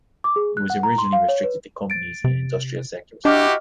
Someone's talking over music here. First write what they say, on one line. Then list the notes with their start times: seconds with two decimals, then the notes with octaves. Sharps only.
It was originally restricted to companies in industrial sectors.
0.24 D6
0.36 G#4
0.57 F#6
0.70 F#5
0.83 A#5
0.98 C6
1.13 F5
1.29 C#5
1.44 B4
1.90 A6 D7
2.24 C3
3.25 D4 E4 F#4 G4 D#5 D6 F6